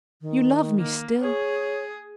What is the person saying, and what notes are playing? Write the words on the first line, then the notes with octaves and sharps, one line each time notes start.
You love me still.
D#3
A#3
G#4 C#5